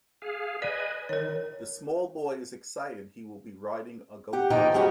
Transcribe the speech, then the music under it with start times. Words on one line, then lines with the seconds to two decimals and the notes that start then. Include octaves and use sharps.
The small boy is excited he will be riding a gocart.
0.22 G#4 F5
0.62 B4 D5 D#5 G#5
1.09 D#3 A#4 C#5
4.33 G4 F#5
4.50 E2 D#3 F3 A#3 D#4 G5
4.74 G3 G#3 C#4 F#4 G4